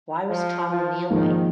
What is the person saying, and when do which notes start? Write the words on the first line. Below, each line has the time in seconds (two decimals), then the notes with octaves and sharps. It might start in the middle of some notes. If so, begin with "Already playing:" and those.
Why was Tom kneeling?
0.29 F3
0.69 F3
1.09 G#2 D#3 F3 A#3